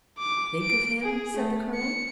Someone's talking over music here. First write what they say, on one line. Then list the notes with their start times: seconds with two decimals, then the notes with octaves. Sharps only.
"Think of him?" said the colonel.
0.18 D6
0.62 D7
1.03 G#4
1.36 A3
1.75 C#7